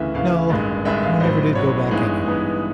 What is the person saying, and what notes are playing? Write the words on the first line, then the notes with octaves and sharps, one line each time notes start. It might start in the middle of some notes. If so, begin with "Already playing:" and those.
No, we never did go back anywhere.
Already playing: D2 C#3 E3 E5
D2 C#3 E3 F5
A1 G2 D#3 G#3
A1 G2 D#3 G#3 E5
F5
A1 A2 F#3 C5
A1 A2 F#3 C#5
G2 E3 G#3 B3 D#4
G2 E3 G#3 B3 D#4